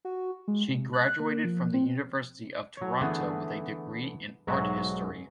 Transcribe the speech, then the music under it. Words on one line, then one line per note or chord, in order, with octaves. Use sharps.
She graduated from the University of Toronto with a degree in art history.
F#4
G#3
C3
F#6
A#3
F3
C4
F#3 C#5
D3 E3 A3 B3 G#4
B1 G#2 F#3 G#3 F#4 E5